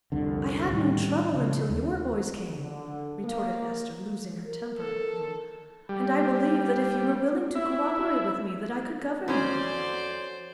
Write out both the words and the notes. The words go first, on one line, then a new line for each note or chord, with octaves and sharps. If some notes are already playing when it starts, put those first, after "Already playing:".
"I had no trouble until your boys came," retorted Esther, losing her temper a little, "and I believe that if you were willing to co-operate with me that I could govern them."
C2 F2 D3
A2 D#3 E3 G3
C#3 F3
D#2
D3
A#3
A#4
A4
G3
E4
F2 C#4 F#4 C5 D5